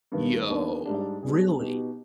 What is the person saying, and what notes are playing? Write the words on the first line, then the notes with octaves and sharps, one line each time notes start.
Yo. Really?
G2 D#3 B3
D#2 D#3 B3 D4
G#2 G3 D4
B2 G3 D4 G#4
B2 B3 D#4 G4